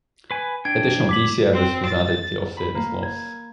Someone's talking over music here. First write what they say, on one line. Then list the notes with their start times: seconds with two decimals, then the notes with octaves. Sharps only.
Additional D service was added to offset this loss.
0.31 B4 G#5
0.65 D4 G5 G#6
1.09 D6 B6 F#7
1.53 C4
1.85 A6
2.57 B5
2.75 A#3
3.03 G#6